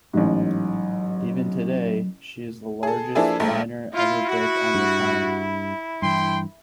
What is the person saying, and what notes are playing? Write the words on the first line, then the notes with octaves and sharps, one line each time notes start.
Even today, she is the largest liner ever built on the Tyne.
A1 G#2 F#3
G#4 A4
F3 A#3 D4 E4 G#4 A4
A#1 G#2 A3
E4 F4
F#4
G2
G2 E3 G5 C6